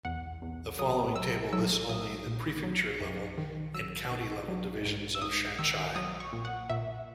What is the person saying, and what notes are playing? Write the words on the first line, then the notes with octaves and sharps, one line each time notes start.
The following table lists only the prefecture-level and county-level divisions of Shaanxi.
E2 F#5
E2
F#3 D#6
F#3 E6
F#3 E6
F#3 D#6
A#2
F#3
F#2
D#3
F#2 E6
D#3
F#3
G#2
E6
G#2 D#6
D#3 E6
F#3 D#6
C#6
A#2
F#5
A#2 E5